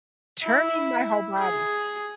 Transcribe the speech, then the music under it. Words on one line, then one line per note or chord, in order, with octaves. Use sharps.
turning my whole body?
E4
G#4